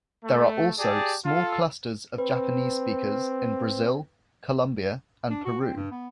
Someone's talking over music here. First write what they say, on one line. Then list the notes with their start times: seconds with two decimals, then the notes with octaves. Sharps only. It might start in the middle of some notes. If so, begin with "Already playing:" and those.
There are also small clusters of Japanese-speakers in Brazil, Colombia and Peru.
0.25 A3
0.78 G4 G#4 D5 A5
1.25 F4 A4
2.18 C4 B4
5.30 D4
5.45 F#4
5.61 C4
5.76 G2
5.91 B3